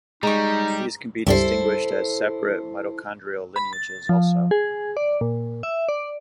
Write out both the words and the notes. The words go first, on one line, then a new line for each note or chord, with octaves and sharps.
These can be distinguished as separate mitochondrial lineages also.
G3 G#3 D#4 A#5 C#6
C#2 G2 G3 E4 A4 C5
B5
A6
F3
G#4
D5
A#2
E5
D5